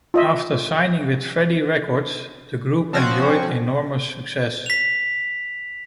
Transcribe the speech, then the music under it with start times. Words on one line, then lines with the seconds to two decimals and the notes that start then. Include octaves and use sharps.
After signing with Freddie Records, the group enjoyed enormous success.
0.14 F4 D#5 E5
2.93 F3 C4 C#4 F#4
4.66 B6 F7